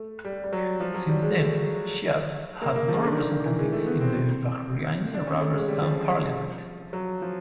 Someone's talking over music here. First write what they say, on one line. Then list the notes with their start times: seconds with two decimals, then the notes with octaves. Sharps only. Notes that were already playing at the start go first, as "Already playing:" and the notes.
Since then, Shias have no representatives in the Bahraini rubber stamp parliament.
Already playing: A3
0.25 G3
0.44 G3
0.53 F#3
0.80 F3
0.94 F#3
1.09 G3
1.22 G#3
1.37 A3
2.62 A#3
2.76 A#3
2.89 F3
2.98 C#3
3.04 D3
3.12 D#3
3.17 D3
3.32 D#3
3.46 E3
3.58 G#3
3.72 A3
3.87 B3
4.01 C4
5.14 D4
5.27 C#4
5.41 A3
5.54 G#3
5.68 G3
5.82 F3
6.93 F#3
7.22 F3